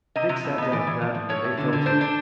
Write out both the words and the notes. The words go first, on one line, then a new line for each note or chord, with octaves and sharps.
Dick sat down gladly, and they fell to.
C3 D#5
C3
A2
B3 D#5
E3 D5
E3
F3
F3
A2 C#5
A2
D3
D3
D4 C5
D4